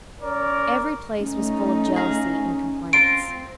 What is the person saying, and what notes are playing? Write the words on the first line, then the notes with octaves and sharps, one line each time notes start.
Every place was full of jealousy and complaints.
C#4 A#4 C#5 D5
A3 C#4 D#4
G#4 F5 A#5
C4 F4 A#5 D7